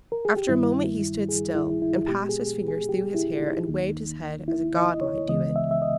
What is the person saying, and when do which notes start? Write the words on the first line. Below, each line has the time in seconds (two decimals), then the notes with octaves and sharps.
After a moment he stood still, and passed his fingers through his hair and waved his head as a god might do it.
0.12 A#4
0.25 G#4
0.36 G4
0.48 G2 D#3 G3 E4
1.29 G#4
1.55 E4
1.82 E4
2.08 A#2 G#3 B3 G4
2.29 G#4
2.68 G#4
2.89 G4
3.15 E4
3.42 D#4
3.68 D#2 D#3 A#3
4.48 E4
4.76 D#5
5.01 C#5
5.28 C#2 C#3 E3 G#3 B3 D#5
5.56 E5
5.71 E5
5.82 D#5